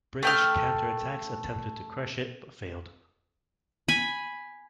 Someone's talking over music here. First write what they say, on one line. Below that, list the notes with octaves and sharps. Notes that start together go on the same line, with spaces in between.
British counterattacks attempted to crush it but failed.
A3 G5 F6
G#5 B5